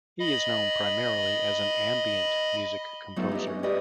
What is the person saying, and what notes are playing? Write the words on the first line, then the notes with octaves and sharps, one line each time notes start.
He is known primarily as an ambient music composer.
D#5 B5
F#3 A3 B3 C#4 D#4 F4
G4 B4 D#5
C#4
F#4 G4 A#4 B4 D5 D#5